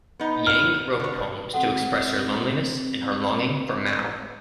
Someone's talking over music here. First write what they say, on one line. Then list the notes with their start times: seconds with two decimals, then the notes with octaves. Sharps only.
Yang wrote poems to express her loneliness and her longing for Mao.
0.20 B3 D#4
0.47 F6
1.00 D3 C#5
1.54 C4 F#4 A4 F#5